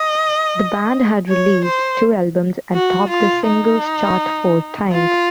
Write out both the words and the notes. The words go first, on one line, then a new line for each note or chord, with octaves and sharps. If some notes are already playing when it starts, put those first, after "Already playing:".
The band had released two albums and topped the singles chart four times.
Already playing: D#5
C#5
C5
F#4
F4
D#4
F4